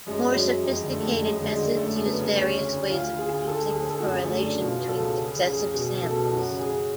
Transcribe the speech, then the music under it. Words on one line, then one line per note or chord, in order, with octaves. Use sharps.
More sophisticated methods use various ways of reducing the correlation between successive samples.
F#2 G#3
F#2
F#3
F#2
F2 G#3
D3
A3
F2
F#2 G#3
D3
G#3
D3
F#2 A3
F#2
B3
C#3
D2 C#4
D2
D2
D2 F4
D2
G#4
D2
D2 A4
G#4
D2
G#4
D2
A4
F#4
F#2 G#4
F#2 A3
C#3 D4
B2 F4
B2
A4
C#2
C#3 G#4
C#3
G#4
F2
B2 G#4
C#2
A4
B2
F#2 F#4
C#3
G#4
C#3